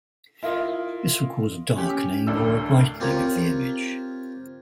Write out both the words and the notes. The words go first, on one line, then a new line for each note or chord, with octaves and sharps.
This will cause a darkening or brightening of the image.
E4 F4 A#4 D#5
C#4 G4
A1 D2 A#4 D5 E6
C4 F4 G4 A#4 C#5